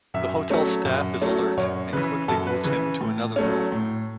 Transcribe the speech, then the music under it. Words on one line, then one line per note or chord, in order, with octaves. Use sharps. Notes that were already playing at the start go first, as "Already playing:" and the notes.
The hotel staff is alert and quickly moves him to another room.
F#2 E5
F#3 A3 C#4
F#2
F#3 A3 C#4
F#2 C#5
C#3 E3 B4
F#2 A4
B4
C#3 E3 B4
A2
F#3 A3 C#4
A2